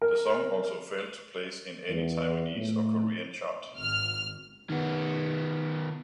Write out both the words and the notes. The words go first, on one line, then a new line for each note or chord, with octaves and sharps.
The song also failed to place in any Taiwanese or Korean chart.
A#4
E2
A2
G#1 F6
D#3 B3